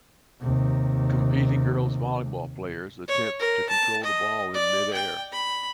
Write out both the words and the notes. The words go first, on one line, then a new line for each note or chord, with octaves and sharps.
Competing girls volleyball players attempt to control the ball in midair.
D#2 C3
C#5
A#4
A5
D#5
D5
G5
B5